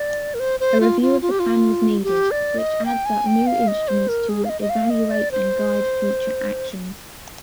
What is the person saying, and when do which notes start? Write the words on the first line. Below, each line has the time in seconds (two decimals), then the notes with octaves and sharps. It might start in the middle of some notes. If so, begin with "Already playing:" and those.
A review of the Plan was needed, which adds up new instruments to evaluate and guide future actions.
Already playing: D5
0.34 A#4
0.40 C5
0.60 C5
0.81 F4
1.02 F4
1.22 F4
1.31 G4
1.39 F4
2.04 G4
2.31 D5
2.58 D#5
2.86 G5
3.06 G#5
3.27 G5
3.47 F5
3.68 D#5
3.88 C5
4.08 A#4
4.29 G#4
4.45 F5
4.49 D#5
4.61 D#5
4.70 F5
4.90 D#5
5.11 D5
5.31 C5